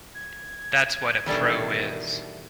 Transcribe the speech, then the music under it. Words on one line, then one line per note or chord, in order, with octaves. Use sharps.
That's what a pro is.
G#6
B2 D#3 E3 G3 A3 D4 A4